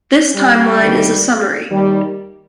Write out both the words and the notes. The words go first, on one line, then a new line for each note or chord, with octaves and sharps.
This timeline is a summary.
G3
D2 C3 D#3
D#2 D#3 G3